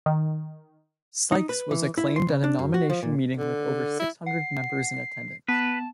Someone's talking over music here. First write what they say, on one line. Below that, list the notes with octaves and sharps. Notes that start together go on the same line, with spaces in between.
Sykes was acclaimed at a nomination meeting with over six-hundred members in attendance.
D#3
D#4
B4
E3
E4
C6
C#3
D4
F#2
F#4
F3
A#2
D3
E4
F#5 C7
B3 B4 A5